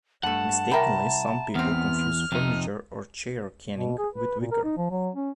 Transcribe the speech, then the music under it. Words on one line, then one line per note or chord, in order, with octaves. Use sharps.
Mistakenly some people confuse furniture or chair caning with wicker.
G2 A3 F#5 A5
C2 A#4 E5 G5 A#5 B5
E2 B3 C4 F6
F2 C3 D#4
B2
G#4
B4
A#2
A#4
D#4
F3
F#3
C#4